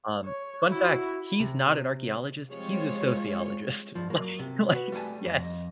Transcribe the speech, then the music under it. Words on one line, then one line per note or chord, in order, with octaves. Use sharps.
Um, fun fact, he's not an archaeologist, he's a sociologist, like like yes.
C#5
E4 F#4
C3
F3 G3 G#3 C4 F4 C#5
G2 F3
F#3 A#3
C3
F#4 B4
G3 A3 F#5 G#5 A5
F2 D#5